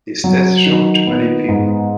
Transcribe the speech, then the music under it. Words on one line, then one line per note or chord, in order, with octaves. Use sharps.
His death shocked many people.
F#3
D#3
B3
G#2